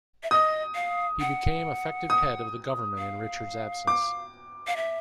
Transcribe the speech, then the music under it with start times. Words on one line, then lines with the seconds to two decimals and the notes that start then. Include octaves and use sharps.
He became effective head of the government in Richard's absence.
0.23 E5
0.31 D#5 D#6
0.75 F5
1.21 F#5
2.10 D#6
2.99 F5
3.87 D6
4.67 F5
4.77 E5